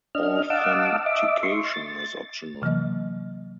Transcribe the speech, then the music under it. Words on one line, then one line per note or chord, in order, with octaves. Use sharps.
Authentication is optional.
D4 D#5 F6
D#5 F5 F#5 A5 D6 E6
D#5 E5 D6
C6 C#6
A6
C3 E3 F#3 A#3 D#5